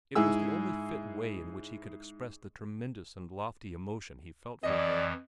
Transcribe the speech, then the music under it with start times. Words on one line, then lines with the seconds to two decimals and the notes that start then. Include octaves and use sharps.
It was the only fit way in which he could express the tremendous and lofty emotion he felt for her.
0.15 G#2 E4 G#4 E6
4.63 F2 E3 D5 D#5